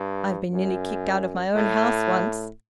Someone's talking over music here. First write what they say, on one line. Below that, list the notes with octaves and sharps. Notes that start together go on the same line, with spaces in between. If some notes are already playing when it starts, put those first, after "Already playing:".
I've been nearly kicked out of my own house once.
Already playing: G2
F#2
A2